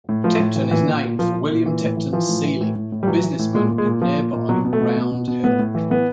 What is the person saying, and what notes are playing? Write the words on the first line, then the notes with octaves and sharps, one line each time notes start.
Tipton is named for William Tipton Seely, a businessman in nearby Round Hill.
A2
A2 F3
A2
E3
A#2 E3
A#2
A#2
A#2 F3
A#2
A#2
E3
A2
E3
E3 F3
A2
E3
A2
A2
A2
G3
E3 F#3
E3
A2
A#2 G#3
A#2
G#3
A#2
A#2 F3
A#2
A#2
B2 F#3
B2
A3
B2
B2
B2
B2
A2 B3
A2
E3
E3 B3